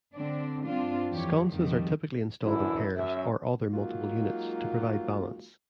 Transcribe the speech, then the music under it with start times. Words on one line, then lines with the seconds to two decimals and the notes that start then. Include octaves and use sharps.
Sconces are typically installed in pairs or other multiple units to provide balance.
0.15 D3 C4 D4
0.66 G2 C4 D4 F4
1.11 F2 E3 G4 C#5
1.51 F2 D#3 F3 G3
2.43 F#2 D3 E3 E4
2.96 F#2 E5
3.73 F#3 G#3 A#3 D#4 F4 F#4